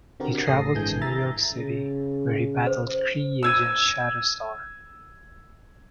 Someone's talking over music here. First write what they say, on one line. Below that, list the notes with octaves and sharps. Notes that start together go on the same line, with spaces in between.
He traveled to New York City, where he battled Kree agent Shatterstar.
D3 C4 F#4 G4 A#4
A1 A4 A5 D#6 A#6 C7
G#1 D3 E3 G#3 G#5 G6
E5 A#5 A6
C#3
C5
E6 G#6 D#7